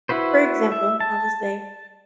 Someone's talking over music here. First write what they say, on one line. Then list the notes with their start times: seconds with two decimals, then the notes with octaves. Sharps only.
for example, I'll just say,
0.09 E4 F#4 B4 C5
0.72 E5
1.00 A5